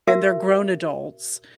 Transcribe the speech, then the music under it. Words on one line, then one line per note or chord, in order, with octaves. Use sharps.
and they're grown adults.
F#4 A#4 E5